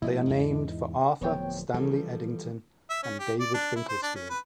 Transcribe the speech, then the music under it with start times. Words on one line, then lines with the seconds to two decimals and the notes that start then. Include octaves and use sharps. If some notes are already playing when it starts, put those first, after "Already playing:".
They are named for Arthur Stanley Eddington and David Finkelstein.
0.02 A#2 F3 A3 E4 D#5
0.26 E2 G#2
1.21 D1 F3 B3 C#5 G5
1.74 E3 F3 G3 A4
2.90 E5
3.03 C#4
3.19 G4
3.40 D5
3.54 D4
3.76 E4
3.89 C5
4.03 D4
4.15 C#4
4.30 B4